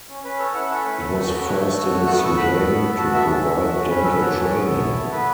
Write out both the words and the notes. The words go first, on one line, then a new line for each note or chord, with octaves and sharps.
It was the first in Sudan to provide dental training.
C#4
C#4 B4
A4 C#5
E4 F#5
F#5
C#4 E5
A3 B4
A4
F#4
A3
A3 C#5
A4
F#4
A3
B3 F#5
A4 C#6
F#4 B5
B3
B3
A4
F#4 A5
B3 E5
C#4
A4
F#4
C#4
C#4 B4
A4 B4
F#4 C#5
C#4
B3
A4
E4
B3
B3 B4